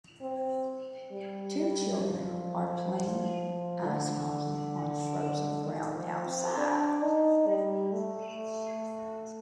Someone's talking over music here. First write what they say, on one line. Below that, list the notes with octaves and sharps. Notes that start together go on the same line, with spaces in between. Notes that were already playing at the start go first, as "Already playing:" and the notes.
Two children are playing ice hockey on frozen ground outside.
C4
G3
G3
F3
D3
D#3
F3
C4
D4
D#4
G3
A3